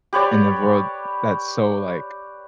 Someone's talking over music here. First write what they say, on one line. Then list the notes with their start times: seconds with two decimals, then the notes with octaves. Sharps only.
In a world that's so, like
0.13 G4 B4 C#5 D5